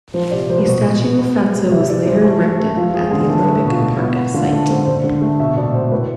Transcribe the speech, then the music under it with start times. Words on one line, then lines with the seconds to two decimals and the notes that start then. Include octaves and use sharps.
A statue of Fatso was later erected at the Olympic Park site.
0.14 F3 C5
0.31 C3 D5
0.49 F3 C5
0.58 B4
0.65 B2 C5
0.84 B2
1.02 B3
1.19 B3
1.36 G#3
1.55 C3
1.71 C3 E5
1.89 E3 D5
2.07 E3 C5
2.25 A3
2.42 A3
2.60 A3
2.77 F3 F4
2.88 F4
2.94 G#3 G#4
3.11 D3 G#4
3.29 A3 A4
3.43 A3 B4
3.56 A4
3.65 B2 F4
3.81 A2
3.99 B3
4.16 B3
4.34 D3 F4
4.52 A3 A4
4.69 D3 C5
4.86 D3 C5
5.04 D3
5.21 A3
5.40 B2 E5
5.57 B2 D5
5.74 B2 C5
5.92 A2 B4